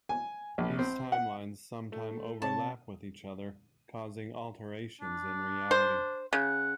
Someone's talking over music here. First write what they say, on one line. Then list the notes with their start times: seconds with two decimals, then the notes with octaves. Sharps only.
These timelines sometimes overlap with each other, causing alterations in reality.
0.09 G#5
0.58 A#1
0.79 C4
1.12 F#5
1.92 A3
2.42 C3 C#5 A5
5.01 D4
5.71 C5
6.33 C#3 F#5